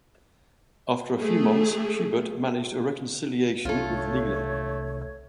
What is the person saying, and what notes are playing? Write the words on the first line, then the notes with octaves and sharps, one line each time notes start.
After a few months, Hubert managed a reconciliation with Leila.
A3 G#4
C2 A3 D4 F4 A4 C#5